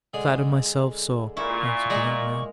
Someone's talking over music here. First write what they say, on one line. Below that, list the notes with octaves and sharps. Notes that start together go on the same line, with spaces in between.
"I flatter myself so," answered the young man.
D3 G#3 G#4
A#2 E4 C#6
G#3 A#3 D5 A#5 D#6